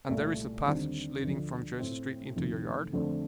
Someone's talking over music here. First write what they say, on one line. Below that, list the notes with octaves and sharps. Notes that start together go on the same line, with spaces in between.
"And there is a passage leading from Jersey Street into your yard?"
C2 A#2 A3
D#2 D3 G3 C4 D#4
D2 D3 F3
A2 A3 C4
F2 C3 D#3 A3
F2 D3 A3 C4